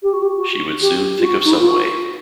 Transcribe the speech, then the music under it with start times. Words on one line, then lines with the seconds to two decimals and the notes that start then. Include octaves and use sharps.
She would soon think of some way.
0.03 G4
0.13 F#4
0.22 G4
0.37 F#4
0.81 G4
1.19 F4
1.25 F#4
1.45 D#4
1.52 E4
1.59 F4
1.68 F#4